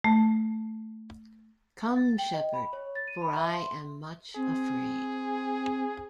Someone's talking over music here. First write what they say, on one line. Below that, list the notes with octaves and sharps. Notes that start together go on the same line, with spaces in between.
Come, Shepherd, for I am much afraid!
A3
A6
G5
D#5
B5
C#5
A6
D#7
B5
E5
C6
C4 G#4